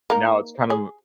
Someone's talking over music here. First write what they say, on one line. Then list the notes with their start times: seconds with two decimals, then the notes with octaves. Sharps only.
Now, it's kind of
0.10 A#3 D#4 A#4
0.70 G#4